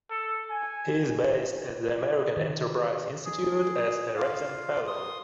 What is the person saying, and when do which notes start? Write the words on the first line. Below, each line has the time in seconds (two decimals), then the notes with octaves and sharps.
He is based at the American Enterprise Institute as a resident fellow.
0.10 A4
0.50 G#5
2.37 D#3
3.25 G#4
4.16 F4 F5
4.87 C6 D#6